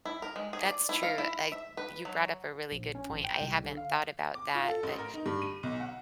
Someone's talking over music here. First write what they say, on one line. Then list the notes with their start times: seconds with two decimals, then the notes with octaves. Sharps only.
That's true, I you brought up a really good point, I haven't thought about that, but
0.05 E4
0.22 A#4
0.36 G#3
0.53 G#4
0.65 D5
0.89 E4
1.03 F5
1.18 E4
1.52 E5
1.77 B4
2.05 F#3
2.72 A#1
2.95 C#4
3.10 A1
3.24 G5
3.41 C2
3.64 D3
3.77 F5
4.35 D6
4.55 F4
4.68 A4
4.83 A1
4.98 A#4
5.14 D#4
5.26 G2
5.42 D#7
5.63 B1
5.80 F#5